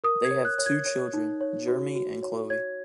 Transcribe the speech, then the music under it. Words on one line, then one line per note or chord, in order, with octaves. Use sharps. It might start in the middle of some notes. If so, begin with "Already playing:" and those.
They have two children: Jeremy and Chloe.
A#4 D#6
G#6
C#5
F#6
C#5
G#6
C#5
D#4
C#5
F#4
F#4
C#5
C#5 G#6